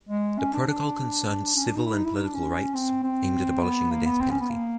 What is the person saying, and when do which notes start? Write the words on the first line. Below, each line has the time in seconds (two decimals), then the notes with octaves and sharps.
The protocol concerned civil and political rights aimed at abolishing the death penalty.
0.09 G#3
0.39 C#4
0.53 D4
0.68 D4
1.27 D4
1.56 C#4
1.66 D4
1.76 D#4
1.86 E4
1.95 D#4
2.05 E4
2.15 D#4
2.25 D4
2.34 C#4
2.74 C4
3.03 C4
3.62 B3
3.92 A#3
4.06 B3
4.21 C4
4.31 C#4
4.40 B3
4.50 A#3